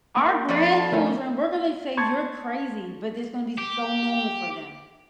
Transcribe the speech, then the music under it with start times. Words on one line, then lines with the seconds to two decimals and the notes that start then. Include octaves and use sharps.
our grandchildren we're gonna say "You're crazy," but it's gonna be so normal for them.
0.17 A#3
0.48 F2 F3 D5
0.74 A5
0.92 D#3 A3 C#4
1.97 A5 C6 C#6 G#6 A6 C#7
3.58 G4